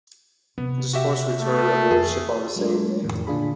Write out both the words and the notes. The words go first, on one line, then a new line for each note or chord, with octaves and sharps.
This force returned aboard ship on the same day.
C3 B3
F#4 G4 E5
A3
F2 D3 G#4
F#3 G#3 A3 D4
F2 A2 D#3
A#2 D3 D4 F4 G#4 B5